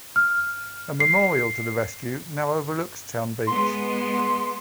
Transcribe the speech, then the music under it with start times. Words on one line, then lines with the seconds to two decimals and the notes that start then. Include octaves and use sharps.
A memorial to the rescue now overlooks Town Beach.
0.16 F6
1.00 C7
3.47 G#3 B3 C6